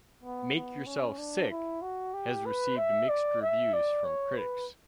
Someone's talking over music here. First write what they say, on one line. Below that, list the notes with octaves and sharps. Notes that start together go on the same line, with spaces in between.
"Make Yourself Sick" has received mixed reviews from critics.
B3
B3
C#4
D4
E4
F#4
G4
B4
E5
D5
E5
D5
C#5
B4